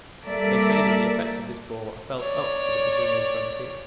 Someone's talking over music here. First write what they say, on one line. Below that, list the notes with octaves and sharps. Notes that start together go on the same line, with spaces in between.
They say that the effects of this bore are felt up to the Brazilian frontier.
G3 A#3 A4 A#4 D5 E5
C#5 D5